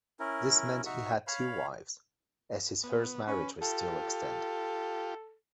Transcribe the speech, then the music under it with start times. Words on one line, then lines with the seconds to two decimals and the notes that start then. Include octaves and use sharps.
This meant he had two wives, as his first marriage was still extant.
0.20 C#4 E4 A#4
0.86 D#4 F#4 E5 C#6
1.27 C#5 F5 B5
2.84 B3
3.28 C#4 B4
3.62 F4 G4 A4